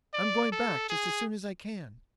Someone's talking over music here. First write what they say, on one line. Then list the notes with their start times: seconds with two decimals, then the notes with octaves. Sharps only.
I'm going back just as soon as I can.
0.14 D5
0.52 A4
0.90 G#4